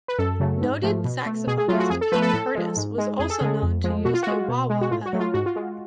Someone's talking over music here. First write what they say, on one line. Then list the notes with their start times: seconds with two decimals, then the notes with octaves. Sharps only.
Noted saxophonist King Curtis was also known to use a wah-wah pedal.
0.08 B4
0.18 F#2 A4
0.40 C#3 F#3 A3
0.61 G#2
0.83 F3 A3
1.04 B2
1.26 A3
1.47 B2 G#4
1.58 G#4
1.68 F#3 A3 F4
1.80 F#4
1.90 F2 G#4
2.01 A4
2.12 F3 B4
2.15 A3
2.22 A4
2.28 B4
2.33 A2 A4
2.55 F3 G#3
2.77 G#2
2.98 G#3
3.19 F2 G#4
3.30 A4
3.40 C#3 G#3 G#4
3.63 F2
3.84 F3 G#3
4.05 B2 F#4
4.14 F4
4.23 G#3 F#4
4.48 B2
4.70 G#3
4.81 F#4
4.91 A2 F4
5.06 F#4
5.13 F#3 A3
5.20 F4
5.34 G#2 F#4
5.46 F4
5.56 G#3